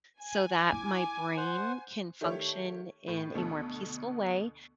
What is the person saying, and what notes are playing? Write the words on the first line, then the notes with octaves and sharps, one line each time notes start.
so that my brain can function in a more peaceful way,
G#5
E4 D6
C5 F#5
D#3 A3 G4 C#5
A2
D2 B2 A4